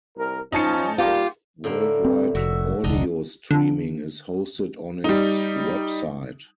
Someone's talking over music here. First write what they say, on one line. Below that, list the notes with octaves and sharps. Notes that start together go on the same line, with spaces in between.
Live worldwide audio streaming is hosted on its website.
C2 A#4
F3 C#4 D#4 A5 C#7
G3 A#3 F4 G4
A2 D3 A#3
C4
F1 F#4 E5
E1 C#2 D4 D#5 A#5
D3
G3 D#4